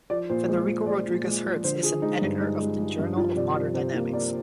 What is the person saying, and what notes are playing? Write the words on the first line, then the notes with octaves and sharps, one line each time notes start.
Federico Rodriguez Hertz is an editor of the "Journal of Modern Dynamics".
F3 D5
A#2 C5
G#3 C5
F3
G#3 D5
A#2
G#3
F3
D3 C5
F3 G#4
G#3 D#4
G2 D#4
G#3 D#4
G#3
G#3
G2
F3 F4
C3 D5
F3 D5
C3 C5
A#3 F4
A#3 D5